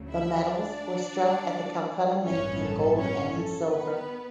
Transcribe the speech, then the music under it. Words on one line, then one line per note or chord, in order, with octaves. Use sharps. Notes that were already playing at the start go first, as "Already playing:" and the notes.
The medals were struck at the Calcutta Mint in gold and in silver.
Already playing: D2 C#3 F#3 A3
E4 E5
D4 D5
A1 G2 F#3 B3 C#4 C#5
A4
C#4 C#5
A4
B3 B4